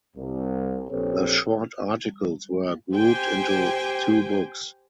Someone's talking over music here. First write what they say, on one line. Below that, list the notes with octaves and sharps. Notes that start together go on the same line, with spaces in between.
The "Short" articles were grouped into two books.
C2
A#1 C4 G4 A4 B4 C#5
G4 C5 G5 G#5